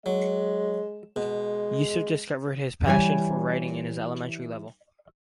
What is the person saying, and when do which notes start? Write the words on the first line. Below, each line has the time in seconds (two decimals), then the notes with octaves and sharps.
Yusuf discovered his passion for writing in his elementary level.
0.06 F#3 G#3
1.16 B2 G#3
2.86 E3 G3 C#5 G5 G#5